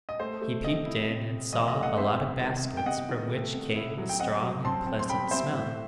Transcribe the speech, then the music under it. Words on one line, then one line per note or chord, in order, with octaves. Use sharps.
He peeped in and saw a lot of baskets from which came a strong and pleasant smell.
D#5
A3 C5
A3
C3 D#5
E4
C3
C3
E3 D#5
D#5
A3
D#5 F#5
C4 C5 E5
C3
D#3
C3
G5
C3 D#5 F#5
D#3
A3
C3
E4
F#3
G5
C4 D#5 F#5
F#3
C4 A5 C6
C4
C6
C4 G5 B5
C4 C5 E5
A2